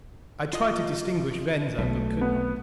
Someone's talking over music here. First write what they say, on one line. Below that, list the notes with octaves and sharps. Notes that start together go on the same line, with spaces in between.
I tried to distinguish Venza, but could not.
F4 D#5 D#6
B1 B2 A3
B3